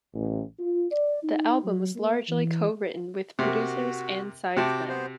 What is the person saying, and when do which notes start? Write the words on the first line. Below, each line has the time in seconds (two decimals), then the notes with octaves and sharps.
The album was largely co-written with producers and sidesmen.
0.14 A1
0.59 F4
0.91 D5
1.22 D#4
1.63 F#3
1.95 A#3
2.29 E3
3.39 C3 A#3 F#4
4.57 C3 F#4 G5 A5 D6
4.89 B3 C5